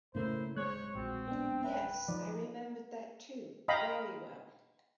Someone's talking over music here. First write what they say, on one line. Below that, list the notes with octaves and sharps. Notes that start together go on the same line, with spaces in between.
Yes, I remembered that too, very well.
A2 C#3 A3 A#3 E4 C5
D1 G#3 C5 C#5 F#6
A#1 A#2 C4 F#4
B3 D4 G5
B4 E5
F3 D#4 D5
D#5 F5 G5 A#5 B5